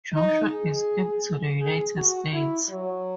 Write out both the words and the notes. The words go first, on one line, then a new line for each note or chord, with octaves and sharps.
Joshua escaped to the United States.
D#4
G#4
G#4
F#4
E4
F#3